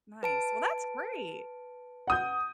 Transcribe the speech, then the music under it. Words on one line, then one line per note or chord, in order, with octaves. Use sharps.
Nice. Well, that's great.
B4 A5 D7
F#5 D#6 G6